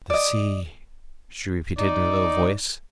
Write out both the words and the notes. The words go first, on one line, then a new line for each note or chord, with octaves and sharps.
"The sea," she repeated in a low voice.
D5 D#5
D#4 D5